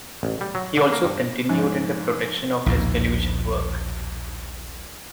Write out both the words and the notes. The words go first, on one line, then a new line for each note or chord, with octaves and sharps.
He also continued in the production of his television work.
A1
G3
F#3
D3
A#3
G2
G#2 F3
A#1 D#2 A2